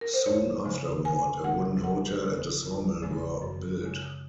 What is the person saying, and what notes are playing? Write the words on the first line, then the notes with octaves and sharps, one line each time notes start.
Soon afterward, a wooden hotel and a saw mill were built.
A#4
C5
F2 C#5
C#3 F3 G#3
F2 G#5
C#3 F3 G#3 F#5
F2 F#5
C#3 F3 G#3
F2
C#3 F3 G#3
F#2
C#3 G#3